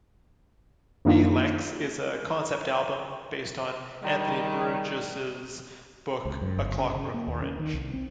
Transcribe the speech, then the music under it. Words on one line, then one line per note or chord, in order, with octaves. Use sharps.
A-Lex is a concept album based on Anthony Burgess' book "A Clockwork Orange".
F#2 D#3 A#3 D4 D#4 F4
D#3 G3
C#2
F#2
G1
C#3
C#3
A#3
D#2
C#4
D#3
C2
C4